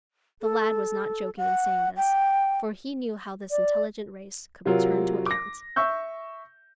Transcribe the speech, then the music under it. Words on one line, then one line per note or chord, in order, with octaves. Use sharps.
The lad was not joking in saying this, for he knew how this intelligent race could be turned to account.
A4
F#5
G5
D5
C3 F#3 F4 A#4
D6 A#6
E5 C#6 E6 G6